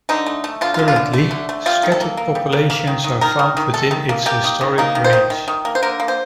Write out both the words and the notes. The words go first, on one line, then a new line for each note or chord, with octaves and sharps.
Currently, scattered populations are found within its historic range.
D3 D#4
A3
A3
D3 F4
F4
D3
F4
D3
A3
D3
A3
G3 F4
D#3
A4
A#3
A#3
G3
A#3
A#3
D#3
D#3
D#3 A#4
D#3
D#3
D#3 A4
D#3
A#3
A#3 G4
D#3
D#3
A#3 D#4
D#3
C5
D#3
D#3
D#3
A#3
C5
D3 A#4
A#3
C5